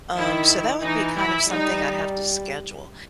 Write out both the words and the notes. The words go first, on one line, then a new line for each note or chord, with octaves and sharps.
um, so that would be kind of something I'd have to schedule,
D#3 E4
E3 D#4
E4
G3 D#4